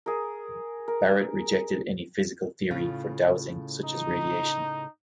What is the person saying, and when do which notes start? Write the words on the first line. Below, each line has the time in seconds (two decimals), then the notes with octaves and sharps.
Barrett rejected any physical theory for dowsing such as radiation.
0.06 G#4 A#4
0.88 A#4
2.71 A2 C#3 F4
3.84 D#4